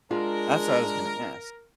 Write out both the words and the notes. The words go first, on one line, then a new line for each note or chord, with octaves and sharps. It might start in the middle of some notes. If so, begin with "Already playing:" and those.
That's what I was gonna ask.
G#3 D4 F4 A#4